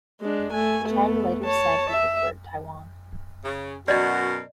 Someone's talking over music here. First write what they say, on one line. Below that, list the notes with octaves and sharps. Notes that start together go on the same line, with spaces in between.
Chen later said he preferred Taiwan.
G#3 D4
A3 G#5
A3 B3
C#5 A5
E5
C#3
F#2 B2 F#4 A#4 D5 D#5